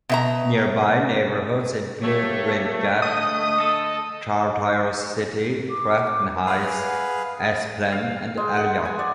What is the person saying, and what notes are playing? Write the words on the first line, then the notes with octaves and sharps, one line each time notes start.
Nearby neighborhoods include Windgap, Chartiers City, Crafton Heights, Esplen, and Elliott.
B2 E5 A#5
G3 A3 A#3 C#5
D3 D#5 D#6
A4
D6
G#4 B4 F5 F#5
F5
G#3
F#5
G#5
D5